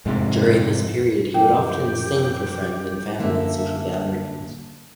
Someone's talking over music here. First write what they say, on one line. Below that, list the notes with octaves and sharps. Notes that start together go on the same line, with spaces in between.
During this period, he would often sing for friends and family at social gatherings.
F2 G#2 C3
F#2 F3 G4 G5
F#2 D3 A#3 E5